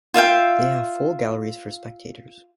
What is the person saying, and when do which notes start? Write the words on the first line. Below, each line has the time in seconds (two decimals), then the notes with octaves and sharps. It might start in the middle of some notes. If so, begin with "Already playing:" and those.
They have full galleries for spectators.
0.14 F4 E5 F5 G5